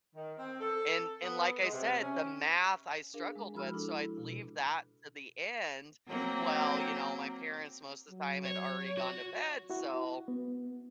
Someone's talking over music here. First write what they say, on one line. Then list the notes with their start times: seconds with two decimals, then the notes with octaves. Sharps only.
and and, like I said, the math I struggled with, so, I'd leave that to the end. Well, you know, my parents most of the time had already gone to bed, so
0.16 D#3
0.38 C4
0.60 A4
1.21 B3
1.61 G#3
1.73 C3
2.00 C#4
3.14 D4 G#4 A#4 F5
3.36 G#3
3.55 F3 E4 F#4 B5 E6 F6
3.74 D4 E4 A4
4.18 B2
6.08 F#3 A#3 C4
8.09 F#3
8.45 C#5
8.97 F#4
9.70 E4 F#4
10.28 B3